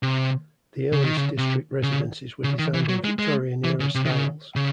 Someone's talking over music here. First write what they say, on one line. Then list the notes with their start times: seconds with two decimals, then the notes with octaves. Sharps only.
The earliest district residences were designed in Victorian-era styles.
0.03 C3
0.92 C#3
1.04 D#3
1.17 C#3
1.38 C3
1.83 C#3
2.44 C#3
2.59 D#3
2.74 E3
2.89 F#3
3.04 G#3
3.19 G#3
3.64 E3
3.80 C#3
3.95 C3
4.05 D#3
4.10 C#3
4.56 C#3